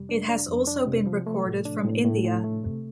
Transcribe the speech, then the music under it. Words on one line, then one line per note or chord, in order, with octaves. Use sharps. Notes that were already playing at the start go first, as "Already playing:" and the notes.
It has also been recorded from India.
Already playing: F2 C3 G3
D4
D4
F2
D4
C3
F3
A3
A2
D4
A2
A2
A2
A3
C3